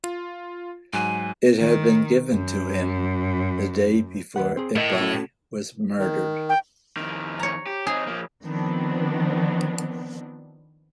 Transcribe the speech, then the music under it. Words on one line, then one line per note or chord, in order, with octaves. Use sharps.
It had been given to him the day before Ippei was murdered.
F4
G#2 F#3 G#5 F#6
D#3
F#2
D#2 B4 F#5
C4 G#4
A2 A#4 D#5
C#4 F#4 A4
D#3
G5
F2 D#3
C#5 A#5
G4
C4 D#4 G#4
F3 A#3
D#3 F3 B3 C4 D4